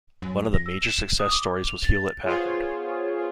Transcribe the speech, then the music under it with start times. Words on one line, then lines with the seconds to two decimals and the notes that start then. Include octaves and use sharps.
One of the major success stories was Hewlett-Packard.
0.22 F#2
0.54 A#6
0.66 E6
0.82 E7
1.20 D#6
1.31 D6
1.67 F7
1.84 A6
2.23 B3 F4 G#4 C5 C#5